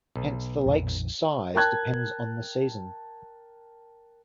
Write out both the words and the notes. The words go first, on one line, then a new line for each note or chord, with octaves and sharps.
Hence the lake's size depends on the season.
B1
A#1 F2 D#3
A#4 G5 A5 F#6 G#6